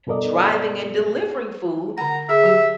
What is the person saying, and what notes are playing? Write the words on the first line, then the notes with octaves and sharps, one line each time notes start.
driving and delivering food
G2 B2 A4 A#4 D5 D#5
D3 F#5 A#5
G#4 E5
F#3 G4